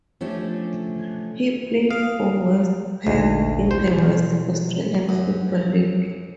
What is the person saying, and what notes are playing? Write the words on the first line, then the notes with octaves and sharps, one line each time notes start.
He played for West Perth in the West Australian Football League.
F3 A3 C#4 D4 G4
F5 D#6
A1 D2 A#2 D#4
B2 E4 G4 C5
F#2